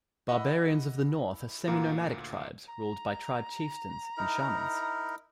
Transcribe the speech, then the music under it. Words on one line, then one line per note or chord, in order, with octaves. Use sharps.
Barbarians of the North are semi-nomadic tribes ruled by tribe chieftains and shamans.
E4 D#5 F#5 B5 D6
D2 A#2 A#3
A#5
D#4 E4 A#4